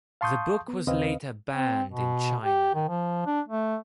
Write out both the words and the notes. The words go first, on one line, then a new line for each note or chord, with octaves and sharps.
The book was later banned in China.
F5 A5 C6 C#6 D#6 G6
B3
D#2 C#3 C4 B4 D#5 F5
C4
B2
G4
D#3
F3
D4
A3